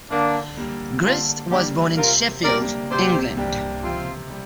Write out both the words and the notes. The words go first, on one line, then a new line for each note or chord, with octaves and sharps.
Grist was born in Sheffield, England.
D3 A#3 D4
G3 A#3
D3 C4 F4
G3 A#3 D4 G4
C3 F4 A#4
G3 A#3 D4 G4 A#4 D5
C3 G4 C5
G3 A#3 D4 G4
C3 C4 F4
G3